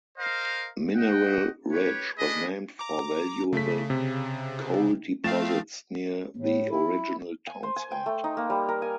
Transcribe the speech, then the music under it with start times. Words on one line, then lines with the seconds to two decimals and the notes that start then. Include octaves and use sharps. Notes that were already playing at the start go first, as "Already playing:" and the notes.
Mineral Ridge was named for valuable coal deposits near the original town site.
0.18 A#4 C5 D#5 F5
0.96 D#5 F#5 G5
1.72 G4 B4 C#5
2.18 D4 G#4 B4 D#5
2.79 A#5 D6
3.53 C#3 A3 B6
3.90 C3
5.24 F3 A3 C4 F5 A6 E7
6.37 A2
6.70 E4
7.47 G#5
7.63 C5
7.76 G#5
7.92 G5
8.06 A3
8.24 D#4
8.37 A#3
8.50 G3
8.69 A#4
8.82 G#5